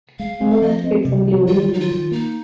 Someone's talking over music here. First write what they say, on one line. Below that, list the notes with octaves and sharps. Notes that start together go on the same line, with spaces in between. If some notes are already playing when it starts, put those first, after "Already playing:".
Most kits include engines.
G#3 F5
C4
F5
F3 D#5
C4
C3
F3
D#3 F4
D#3 D#4
F4
D#3
A#3 D#4